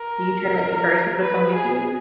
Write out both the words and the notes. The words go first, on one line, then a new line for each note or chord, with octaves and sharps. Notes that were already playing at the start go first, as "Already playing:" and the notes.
do you try to, like, encourage people to come with you?
Already playing: A#4
B4
G#4